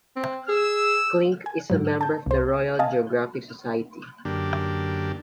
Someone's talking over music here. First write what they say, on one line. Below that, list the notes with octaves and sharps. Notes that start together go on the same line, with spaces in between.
Klink is a member of the Royal Geographic Society.
C4
G#4 E6
G#5
G#2 F#3
A5 G6
C2 C5
D#5 F5 G#5 A5
F#2 D3 A#3 D4 G4